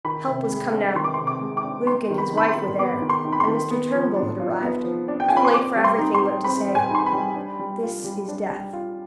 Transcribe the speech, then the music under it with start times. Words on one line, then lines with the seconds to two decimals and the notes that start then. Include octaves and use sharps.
Help was come now; Luke and his wife were there, and Mr. Turnbull had arrived, too late for everything but to say, "This is death."
0.04 D#3 B5
0.28 C3
0.50 G#3
0.74 D4
0.95 D#3 C6
1.04 D6
1.14 C6
1.19 C3
1.27 D6
1.41 G#3
1.57 D6
1.64 D4
1.87 B3 C6
2.10 D#3
2.18 B5
2.33 D#4 B5
2.48 C6
2.56 D#3
2.78 B3 D6
3.02 D#3
3.09 C6
3.25 D#4
3.33 B5
3.40 C6
3.48 D#3
3.71 B3
3.94 F3
4.16 D4
4.40 F4
4.62 B3
4.84 F3
5.08 D4
5.20 G5
5.29 F4 G#5
5.37 B5
5.45 C6
5.53 C4 D6
5.76 G3
5.84 C6
5.98 D#4
6.14 C6
6.22 G3
6.44 C4 B5
6.68 G3
6.75 G#5
6.91 D#4 C6
7.06 B5
7.13 G3
7.36 D4
7.59 G3
7.82 F4
8.04 G3
8.28 D4
8.51 G3
8.73 F4